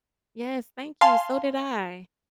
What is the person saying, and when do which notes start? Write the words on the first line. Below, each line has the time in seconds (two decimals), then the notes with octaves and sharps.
Yes, thank you, so did I.
1.01 F5 G#5 A5 C6